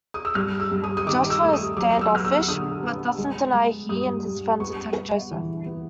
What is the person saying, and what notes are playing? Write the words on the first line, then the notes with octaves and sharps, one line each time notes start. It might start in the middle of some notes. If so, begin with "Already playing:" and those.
Joshua is standoffish, but doesn't deny he and his friends attacked Joseph.
D#6
E6
G2 F6
E6
G2
D#6
D#6
D#3 D6
E6
A3
D#6
F#3 D6
E6
B3 F6
E6
D3 D#6
B3
G#3
G#3
G2 D#6
G2
B3 C#6
B3
E3
B3